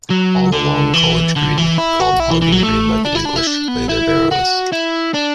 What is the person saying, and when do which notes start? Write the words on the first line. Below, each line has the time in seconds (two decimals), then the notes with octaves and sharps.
All along College Green, called Hoggen Green by the English, lay their barrows.
0.10 F#3
0.52 D3
0.94 E3
1.36 D3
1.58 E3
1.78 E4
2.00 F#4
2.20 E4
2.31 E3
2.42 E3
2.52 F#3
2.63 A3
3.05 D4
3.15 E4
3.25 D4
3.36 E4
3.47 D4
3.68 B3
3.89 E4
4.31 F#4
4.73 E4
5.14 D4